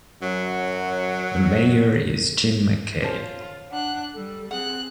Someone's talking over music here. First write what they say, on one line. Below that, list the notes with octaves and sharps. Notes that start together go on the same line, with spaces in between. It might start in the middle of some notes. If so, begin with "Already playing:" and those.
The mayor is Jim McKay.
F#2 F#3
C#4 F4 C5 A5
D4 F#5 F#6
G3 A4
C4 G#4 F#5 F#6